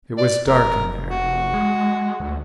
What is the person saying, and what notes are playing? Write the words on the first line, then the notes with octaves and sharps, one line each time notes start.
It was dark in there.
D5
F1 A#4
F#4
G#3
D2